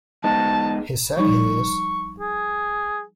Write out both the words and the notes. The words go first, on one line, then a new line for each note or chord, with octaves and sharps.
He said he is.
G#3 B3 D#4 A5
F3 G3 D#4 C#6
G#4